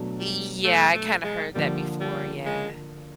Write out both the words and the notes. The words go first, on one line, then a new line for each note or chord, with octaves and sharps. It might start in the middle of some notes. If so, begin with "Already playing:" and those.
Y yeah, I kinda heard that before, yeah.
Already playing: B2 F#3 A3 D4 F#4
G3
A3
A3
G#3
D3 F3 G3 A#3
G3
G#3